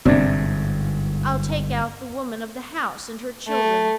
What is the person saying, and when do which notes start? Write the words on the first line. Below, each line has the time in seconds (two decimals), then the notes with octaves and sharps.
I'll take out the woman of the house, and her children.
0.05 G1 G#2 C3 D4
3.47 A3